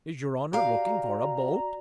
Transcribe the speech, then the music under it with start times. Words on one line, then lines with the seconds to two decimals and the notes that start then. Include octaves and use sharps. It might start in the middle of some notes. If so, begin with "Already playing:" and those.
"Is your honour looking for a boat?"
0.53 F#4 G4 D5 F5 A#5